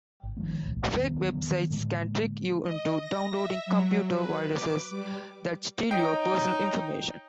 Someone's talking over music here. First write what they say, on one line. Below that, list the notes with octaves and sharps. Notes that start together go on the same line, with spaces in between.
Fake websites can trick you into downloading computer viruses that steal your personal information.
G#1
D#3 F3 G#3 B3
D1 B1 A2
E2 D#3 G3 B3
D3 D#3 F#3 B3
A2 D3 G#3 A#3
D#5
A#6
E5
F#3
B4
D6
G3
D#4 C#5 D#5 G5